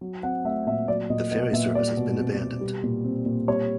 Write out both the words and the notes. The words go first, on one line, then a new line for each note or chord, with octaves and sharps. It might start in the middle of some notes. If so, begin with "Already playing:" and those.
The ferry service has been abandoned.
F#3
C4 F#5
A3 E5
A#2 E5
F#3 D5
A#2 D#5
B3 D#5
A#2 E5
G3 D5
B2
C4
B2
G3
A#2
C4
A#2
G3 C#5